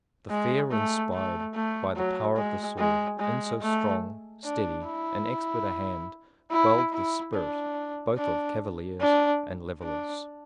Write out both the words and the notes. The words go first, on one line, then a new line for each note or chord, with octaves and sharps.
The fear inspired by the power of the sword, in so strong, steady, and expert a hand, quelled the spirit both of Cavaliers and Levellers.
G#3
A3
A3
A3
F#3
G#3
G#3
G#3
A3
D4
E4
E4
E4
D4
D4
D4
D4